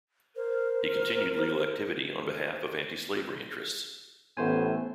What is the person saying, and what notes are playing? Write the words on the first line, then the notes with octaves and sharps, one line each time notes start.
He continued legal activity on behalf of anti-slavery interests.
A#4 C5
A1 A2 A3 B3 C5 G#5